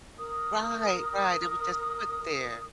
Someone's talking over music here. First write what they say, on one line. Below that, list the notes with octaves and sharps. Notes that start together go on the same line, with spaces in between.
Right, right, it was just put there.
A#4 D#6